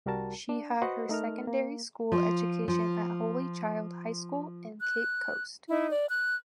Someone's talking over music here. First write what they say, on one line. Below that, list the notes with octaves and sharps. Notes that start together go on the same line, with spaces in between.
She had her secondary school education at Holy Child High School in Cape Coast.
C2 G3 F#4 A#4 A5
D4
F#4 B4 C5 D#5 F#5
A3 D#4 A#4 F6
A#3
F3
F3
F#6
D#4 E4
D5
F#6